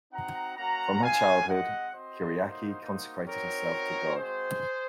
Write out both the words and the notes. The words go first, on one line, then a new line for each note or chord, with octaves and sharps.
From her childhood, Kyriaki consecrated herself to God.
C4 D#4 F#4 F#5 A#5
A#3 C#4 F#4 F#5 A#5
C4 D#4 F#4 F5 G#5
G#3 C4 F4 D#5 F#5
C4 F#4 C5 D#5
A#3 D#4 F#4
A#3 D#4 F#4
C4 D#4 F#4 A#4 C#5
C4 D#4 F#4
G#3 C4 F#4 G#4 C5